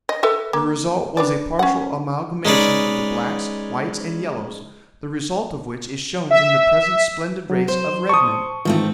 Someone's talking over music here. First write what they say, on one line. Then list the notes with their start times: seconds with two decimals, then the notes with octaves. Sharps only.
The result was a partial amalgamation of the blacks, whites and yellows, the result of which is shown in the present splendid race of red men.
0.09 D#5
0.23 A4 B4 E5
0.53 A#3
1.17 D4 B4 D5
1.59 C#4 F#5
2.45 G#3 C#4 D#4 B4 D5
6.30 E5
7.50 F#3
7.68 C5
8.09 A5 C#6 D#6
8.65 G#2 D#3 E3 A3 C4 F4